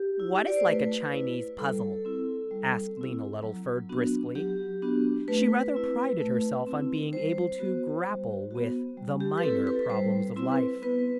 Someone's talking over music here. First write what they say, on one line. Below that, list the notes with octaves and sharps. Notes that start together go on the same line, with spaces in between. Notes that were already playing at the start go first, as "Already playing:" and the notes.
"What is like a Chinese puzzle?" asked Lena Luddleford briskly; she rather prided herself on being able to grapple with the minor problems of life.
Already playing: G4
E4
D5
C5
A3 B4
E4
G3 A4
C4 E4
G3
C4 E4
F#3
B3 D4 F#4
F#3 G4
B3 D4 F#4
A3 B4
C4 E4
A3
C4 E4
G3 C5
B3 F#4
G3
B3 F#4
G3
G4
B4
C4 E4 A4
B4
G3 C5
C4 E4
B4
B3 B4